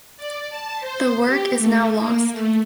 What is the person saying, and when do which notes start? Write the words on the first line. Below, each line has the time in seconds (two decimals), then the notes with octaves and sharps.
The work is now lost.
0.17 D5
0.50 A5
0.81 C5
1.25 G4
1.58 A3
1.98 A#3
2.32 A3